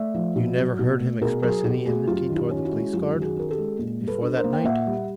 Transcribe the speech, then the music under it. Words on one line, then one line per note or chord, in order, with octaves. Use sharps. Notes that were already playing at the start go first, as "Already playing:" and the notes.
"You never heard him express any enmity toward the Police Guard--before that night?"
Already playing: A3 D5 E5
F3
B2
F#3
B2
A3
B2 G#4 A#4
F#3 G#4 A#4
B2 G4 A4
A3 F#4 G#4
F#2 F4 G4
D#3
F4 G4
C#4
E4 F#4
G#3
F#2 F4 G4
D#3
F#4 G#4
C#4 A#4
G4 A4
G#3
A#2
G3
A4 B4
D4
A#4 C5
A#3
G5
A#2 E5 F#5
G3